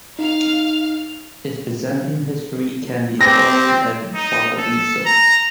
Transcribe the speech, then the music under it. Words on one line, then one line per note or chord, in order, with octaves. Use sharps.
Its Byzantine history can be followed at Barbalissos.
D#4 F5 F6
C4 G4 A#6
D#4
A4
A#5